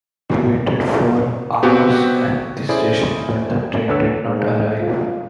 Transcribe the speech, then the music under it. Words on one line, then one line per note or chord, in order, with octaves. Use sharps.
He waited for hours at the station, but the train did not arrive.
B3 C4 F#4 G4
C#4 E4 G#4 A4 C5 D5
D2 D4 A4 B4 C#5 E6
G#2
F4